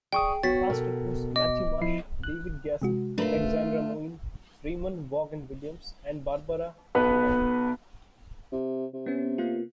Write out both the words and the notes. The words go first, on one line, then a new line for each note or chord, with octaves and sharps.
Cast includes Matthew Marsh, David Gyasi, Alexandra Moen, Ramon Vaughan-Williams and Barbara Keogh.
G#4 D5 G5 C#6 D#6
B3 F#4 C#5 A6 B6
B2 A4 A#4
D#5 D6
F3 E4 C7
F#6
C3 G#3 F#4
A3 D4 F4 A#4 B4
B1 B3 B4
C3
C3
B3 C#4
A#3 B3 F4